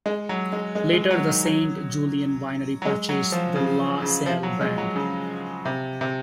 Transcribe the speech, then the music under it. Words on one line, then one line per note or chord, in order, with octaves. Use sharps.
Later, the Saint Julian Winery purchased the LaSalle brand.
G#3
F#3
G#3
G#3
G#3
F#3
D#3
F#3
F#3
G#3
F#3
F3
C#3
C#3
F3
F#3
G#3
F#3
C#3
C3
C3